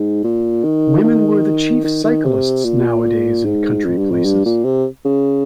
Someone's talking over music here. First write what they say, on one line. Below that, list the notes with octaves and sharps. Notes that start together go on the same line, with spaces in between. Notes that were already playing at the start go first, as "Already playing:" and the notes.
Women were the chief cyclists nowadays in country places.
Already playing: G#2
A#2
D#3
D#3
D#3
D#3
C3
A#2
G#2
F2
G2
F2
G2
A#2
C3
C#3